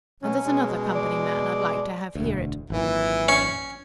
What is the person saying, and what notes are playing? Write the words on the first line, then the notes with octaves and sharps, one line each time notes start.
And there's another Company man I'd like to have hear it.
B2 F#3 C#4
B2 G#3
D5
E1 D2
G#1 F#2 A#2 E3
C#4 C#6